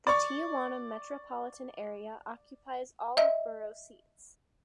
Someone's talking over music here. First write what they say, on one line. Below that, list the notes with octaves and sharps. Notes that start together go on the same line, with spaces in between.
The Tijuana metropolitan area occupies all of borough seats.
D5 C#6
D#5 E5